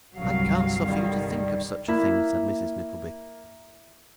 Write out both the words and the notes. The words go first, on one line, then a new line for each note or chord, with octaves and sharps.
'I can't suffer you to think of such a thing,' said Mrs Nickleby.
G1 C2 G2 F#3 F5
D3 D#3 G3
A#3 E4